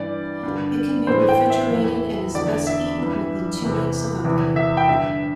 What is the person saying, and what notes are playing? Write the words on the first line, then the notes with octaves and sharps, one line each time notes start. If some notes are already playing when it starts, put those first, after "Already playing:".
It can be refrigerated and is best eaten within two weeks of opening.
Already playing: G2 E3 D5
G2 D3
A2 E3 C5
G5
E5
E2 E3
E2 D3 D5
E5
G2 E3
E2 C3 E3
E2 C3 E3
E5
G5
G2 D3 E5